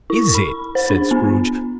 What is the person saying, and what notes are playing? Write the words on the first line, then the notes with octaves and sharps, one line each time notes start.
"Is it?" said Scrooge.
E4
B5
C5
D4
B3